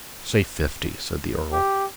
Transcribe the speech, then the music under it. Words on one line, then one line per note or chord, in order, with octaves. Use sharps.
"Say fifty," said the earl.
G4